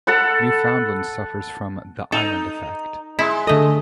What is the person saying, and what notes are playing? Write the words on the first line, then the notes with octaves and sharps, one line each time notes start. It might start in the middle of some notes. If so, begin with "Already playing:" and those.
Newfoundland suffers from "the island effect".
A4 F#5 B5
D#4 A4
G#3 E4
D3 A3 A4 D#5